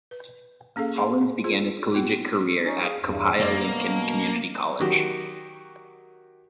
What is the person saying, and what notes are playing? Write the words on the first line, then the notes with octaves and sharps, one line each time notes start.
Hollins began his collegiate career at Copiah–Lincoln Community College.
B4
A#3 C#4 G#4 A4 F5
G#4 F5 F#5 G#5 C6
F4 G#4 C5
B3 C4 F4 G4
C#4 D#4
G#4 F5
E2 G2
F#2 A#3 D5
B2
D#3 F#3 F#4 G4